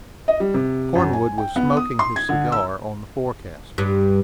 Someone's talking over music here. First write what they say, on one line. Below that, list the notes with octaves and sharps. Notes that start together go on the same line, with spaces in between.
Cornwood was smoking his cigar on the forecastle.
D#5
G3
C3
F#2
G#5
G5
B3
D#6
C6
G#6
D3
E6
G2